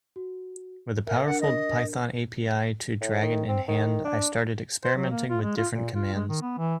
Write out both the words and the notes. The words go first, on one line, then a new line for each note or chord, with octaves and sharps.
With a powerful Python API to Dragon in hand, I started experimenting with different commands.
F#4
A#4 E5
D4 A#4 F#5
D#5
A2
D#3
C4
D#3
D4
C5
F#3
A#3
F4
G#3
F4
A#2
F4
G#3
D#3
B3
E3